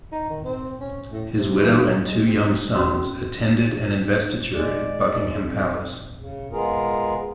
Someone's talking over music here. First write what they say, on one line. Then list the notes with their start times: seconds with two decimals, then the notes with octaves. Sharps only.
His widow and two young sons attended an investiture at Buckingham Palace.
0.12 D#4
0.29 D#3
0.44 C4
0.80 C#4
1.11 A2
1.38 C3
1.60 E3
1.86 F#3
2.05 G#3
2.24 C4
2.75 C#4 F#4 C6
4.54 G#3 D5
5.36 F2
6.19 C#3
6.52 G#3 B3 F4 G#4 A#4